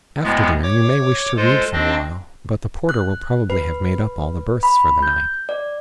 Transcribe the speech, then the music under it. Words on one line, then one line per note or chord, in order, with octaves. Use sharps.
After dinner you may wish to read for a while, but the porter will probably have made up all the berths for the night.
D2 A2 G#3 B3
C#5 D6
G#3 F4 A4 C5
C4 D4 D#5
F#6
B4
B5
G6
D5